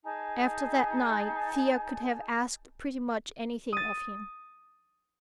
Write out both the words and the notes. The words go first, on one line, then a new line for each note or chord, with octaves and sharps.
After that night Thea could have asked pretty much anything of him.
D#4 G#4 G#5 A5
D#6 A6